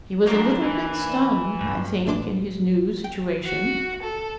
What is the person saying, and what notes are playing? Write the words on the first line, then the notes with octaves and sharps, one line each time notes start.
He was a little bit stunned, I think, in his new situation.
D#2 F#3 A#3 D4
E3
G2
A1 E3 D4 C6 D6
G5
F#4
A4